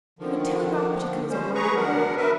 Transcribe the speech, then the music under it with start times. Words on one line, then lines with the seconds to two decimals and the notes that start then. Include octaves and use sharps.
He would telegraph particulars on Monday morning.
0.19 D3 D#3 F3
1.30 G3 G#3 C#4 C5
1.55 G#4 B4 A#5 C#6
1.76 F#3 B3 D4 A#4 F#5
2.17 A#4 B4 E5